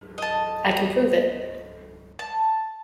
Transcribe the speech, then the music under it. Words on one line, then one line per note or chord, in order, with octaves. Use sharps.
I can prove it.
D#5 A5
A5